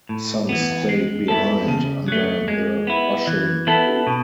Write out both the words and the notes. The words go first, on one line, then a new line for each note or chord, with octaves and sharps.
Some stayed behind under the Russian rule.
A2
E3 B3
G#3
B3 E4 A4
C#3
F#3 A3
G#3
B3 E4
E3
B3 E4 A4
B2